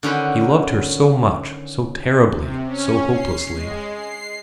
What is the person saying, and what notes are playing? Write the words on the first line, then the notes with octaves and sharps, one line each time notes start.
He loved her so much, so terribly, so hopelessly.
D3 D#3 C#4 F#4 B4 C5
C3
C#4
C7
G#3
C7